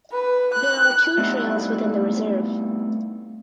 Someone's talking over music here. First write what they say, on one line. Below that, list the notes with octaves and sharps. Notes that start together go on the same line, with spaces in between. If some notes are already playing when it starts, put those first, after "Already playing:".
There are two trails within the reserve.
B4
F#6
G3 A3 B3 C4 D#4 E4